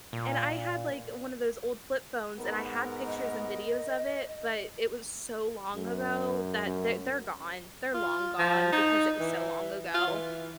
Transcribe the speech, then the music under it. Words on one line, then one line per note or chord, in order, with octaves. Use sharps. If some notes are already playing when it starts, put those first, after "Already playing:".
and I had like one of those old flip phones, and I had pictures and videos of it, but it was so long ago that the they're gone they're long gone because it was so long ago.
A#2
G#2 B3 A#4
D#5
F#2
F#2
F4
F3
D#4
E3
F4
E3